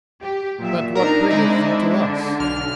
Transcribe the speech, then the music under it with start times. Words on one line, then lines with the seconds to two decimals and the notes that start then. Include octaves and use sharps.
But what bringeth thee to us?
0.21 G4
0.59 A#2 F#3 E5
0.95 C4 D4 D#4 A#4 A#5
1.31 G#3 E4
1.94 D3 D4
2.39 B1 F6